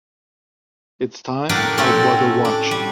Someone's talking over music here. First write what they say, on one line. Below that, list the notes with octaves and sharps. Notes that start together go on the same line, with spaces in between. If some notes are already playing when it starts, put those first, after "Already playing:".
It's time I bought a watch.
A2 D4 G4 A#4 F#5 A5
A3 C4 C#4 F#4 A4
D4
G3